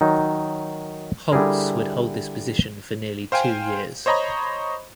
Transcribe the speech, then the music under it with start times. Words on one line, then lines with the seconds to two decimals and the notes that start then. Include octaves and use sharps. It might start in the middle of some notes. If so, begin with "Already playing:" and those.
Holtz would hold this position for nearly two years.
0.01 D#3 F#3 D#4
1.32 D3 G3 E4 G#4 A#4
3.32 C5 F5 G5 G#5
4.06 C5 C#5 D#5 A#5 B5 C#6